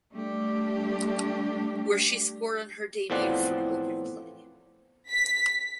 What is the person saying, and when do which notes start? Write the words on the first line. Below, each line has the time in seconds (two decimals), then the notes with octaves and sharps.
Where she scored on her debut from open play.
0.13 G3 A3 D4 G4
3.10 E2 A2 F3 C4 D5 F#5
5.10 B6